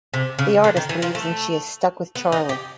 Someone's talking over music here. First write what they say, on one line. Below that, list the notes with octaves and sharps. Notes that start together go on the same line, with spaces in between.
The artist leaves and she is stuck with Charlie.
C3
C#3
D3
D#3
E3
F3
A3
B3
D#4
G4